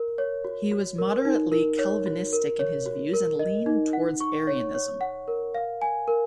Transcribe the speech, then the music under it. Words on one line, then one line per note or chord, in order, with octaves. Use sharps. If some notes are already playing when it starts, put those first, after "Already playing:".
He was moderately Calvinistic in his views and leaned towards Arianism.
Already playing: A#4
C#5
F#4
F#4
A#4
D#4
A#4
C#5
F#4
A#4
C#5
F#4
A#4
D#5
D#4
F#5
C#6
C#5
C#5
F#5
A#4
F5
G#5
A#4